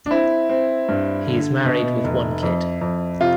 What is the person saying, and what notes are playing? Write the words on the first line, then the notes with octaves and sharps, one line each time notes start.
He is married with one kid.
D4
C4 E4
C4
G2
D3
B2
F1
F2
F2
C3 F4